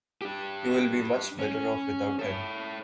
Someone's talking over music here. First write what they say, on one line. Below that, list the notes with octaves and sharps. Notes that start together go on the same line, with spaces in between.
You will be much better off without him.
D4 G4
C#4
A4 C#5